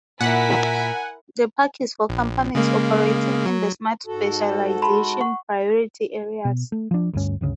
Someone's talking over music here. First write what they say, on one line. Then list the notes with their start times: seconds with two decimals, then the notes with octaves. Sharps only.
The Park is for companies operating in the smart specialization priority areas.
0.21 A#2 E4 A#4 F#5 G#5 B6
2.09 A#1
2.55 C#3 G#3 A#3
3.46 F#3
4.06 G#2 F#4 A4
4.82 A5 B5 C6
5.21 F#5 C#6
6.45 B2
6.72 A3
6.91 F3 D4
7.13 D2 G2 C#4
7.41 G1 D2 C#3